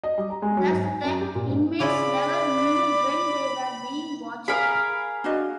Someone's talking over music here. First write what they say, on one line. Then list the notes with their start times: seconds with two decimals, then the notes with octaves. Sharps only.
Thus the inmates never knew when they were being watched.
0.03 D#5
0.18 G3
0.30 A#5
0.42 G#3
0.57 F#3
0.70 G#2
0.85 G#5
1.04 F#2
1.21 G4
1.35 A#2
1.49 G#2
1.80 C#3 E4 F4 D5 B5 D6
4.48 G#4 A#4 F5 B5 D#6
5.24 D4 F#4 D#5